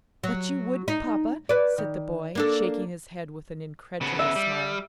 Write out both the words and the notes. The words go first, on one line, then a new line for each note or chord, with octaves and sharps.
"But you wouldn't, papa," said the boy, shaking his head with an incredulous smile.
F#3
D#4
B4 D5
D#3
A#3 D4 A4
C#3 B3
E5
G3